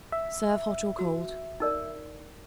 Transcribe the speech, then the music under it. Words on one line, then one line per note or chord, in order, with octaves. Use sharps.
Serve hot or cold.
E5
F#4
D#4 A#4 D5